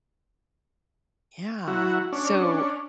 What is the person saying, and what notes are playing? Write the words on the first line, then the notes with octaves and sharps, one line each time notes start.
Yeah, so,
F#3 E4 F#4
C#4 D4